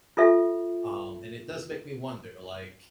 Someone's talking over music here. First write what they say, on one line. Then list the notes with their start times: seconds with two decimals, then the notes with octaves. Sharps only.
Um, and it does make me wonder, like,
0.17 F4 A4 E5